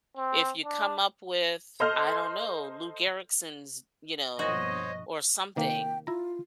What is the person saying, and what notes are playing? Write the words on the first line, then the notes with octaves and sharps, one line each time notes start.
if you come up with, I don't know, Lou Gehrig's, you know, or something,
C4
D4
A4 C5 D#5 C6 F6 G6
A#1 G2 B2 F#4 C5 C#5 D#5
C3 D#3 A#3 G5
E4 F4 A#5